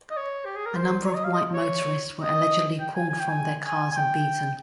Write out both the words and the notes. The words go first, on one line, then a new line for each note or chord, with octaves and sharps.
A number of white motorists were allegedly pulled from their cars and beaten.
D#5
C#5
G4
G#4
A#4
C5
C#5
D#5
F5
D#5
C#5
D#5
G5
G#5
G#5
G5
G#5
G#5
G#5
G5